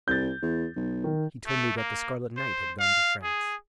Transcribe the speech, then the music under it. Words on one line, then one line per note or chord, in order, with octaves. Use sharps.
"He told me that the Scarlet Knight had gone to France."
C2 G6 A6
E2
B1
D#3
A3
A#3
C5
F5
G#4